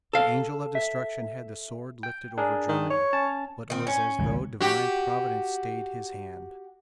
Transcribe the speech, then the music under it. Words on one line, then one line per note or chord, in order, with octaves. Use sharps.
The Angel of Destruction had the sword lifted over Germany, but it was as though divine providence stayed his hand.
A4 F5
E5
G5
D4 G#4 A#4
D#3
C#5
C#4 A5
D#3 C4
C#4
G#1 C#2 B2
F#4 G4